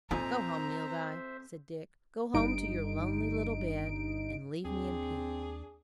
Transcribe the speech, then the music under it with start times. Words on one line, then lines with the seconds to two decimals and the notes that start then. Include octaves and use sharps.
'Go home, Nilghai,' said Dick; 'go home to your lonely little bed, and leave me in peace.
0.11 F2 A#2 C4 C5 E5 G#5 A#5
2.34 G1 G2 D#4 D7
4.65 D#2 C4 D4 G#4